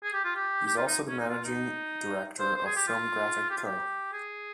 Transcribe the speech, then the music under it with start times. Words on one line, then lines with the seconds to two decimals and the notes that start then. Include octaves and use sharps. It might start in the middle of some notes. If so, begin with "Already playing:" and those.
He is also the managing director of "Filmgrafic Co".
0.03 G#4
0.13 G4
0.24 F4
0.35 G4
0.66 G4
0.77 F4
0.87 D#4
1.08 C#4
1.19 D#4
1.29 F4
1.45 D#4
2.39 C5
2.56 C5
2.66 G#4
2.76 G4
2.87 F4
3.50 G4
3.57 F4
3.64 G4
4.13 G#4